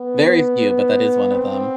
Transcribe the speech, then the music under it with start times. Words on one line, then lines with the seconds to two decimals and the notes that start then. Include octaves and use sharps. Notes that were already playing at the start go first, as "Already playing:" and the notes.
Very few, but that is one of them.
Already playing: B3
1.32 C4